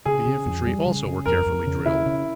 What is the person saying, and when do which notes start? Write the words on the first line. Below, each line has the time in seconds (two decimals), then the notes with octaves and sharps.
The infantry also were carefully drilled.
0.05 C#3 G#4
0.26 C#3
0.46 F2
0.67 G3
0.86 C#3
1.06 C#3
1.26 F2 A#4
1.46 F2
1.66 C#3
1.86 C#3 E4
2.06 C#3